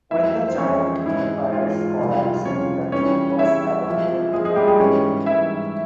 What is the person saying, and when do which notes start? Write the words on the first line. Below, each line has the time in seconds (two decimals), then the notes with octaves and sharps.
When the Giant Empires collapsed, the Keep was abandoned and looted.
0.11 F2 E3 G#3 E4 E5
0.48 C5
0.58 F2 E3 G#3 C#4 C#5
1.06 G#2 E3 G#3 E4
1.53 G#2 E3 G#3 F4
1.99 F2 C3 G3 F4
2.10 E4
2.22 F4
2.35 F4
2.45 F2 C3 G3 C#4 C#5
2.92 E2 E3 G3 C#4 C#5
3.39 E2 E3 G3 E4 E5
3.86 A#2 F3 G#3
4.33 A#2 F3 G#3 G#4
4.45 G#3 G#4
4.56 G3 G4
4.67 G#3 G#4
4.79 G#2 E3 G3 C#4 C#5
5.26 G#2 E3 G3 E4 E5